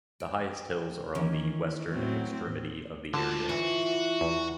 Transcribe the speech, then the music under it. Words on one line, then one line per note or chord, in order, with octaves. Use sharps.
The highest hills are on the western extremity of the area.
G5
D#3 E3 C#4
A2 F#3 C4
G#2 D3 F4 A5
E3 F#4
E2